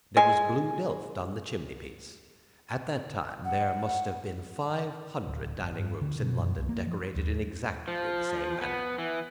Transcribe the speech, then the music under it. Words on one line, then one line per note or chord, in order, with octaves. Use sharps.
There was blue delft on the chimney-piece. At that time there must have been five hundred dining-rooms in London decorated in exactly the same manner.
G#3 G#5
F#5
D1
G1
G2
D3
B2
F#2
C2
A#3
F3
D#2
F3
B3
E3